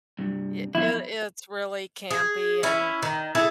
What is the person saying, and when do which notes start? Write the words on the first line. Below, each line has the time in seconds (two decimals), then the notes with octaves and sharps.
y it it's really campy, and
0.19 G2 C3
0.75 F3 B3 E4 B5
2.11 G#4
2.63 C#4 E4
3.03 D#3
3.35 E4 G#4 A4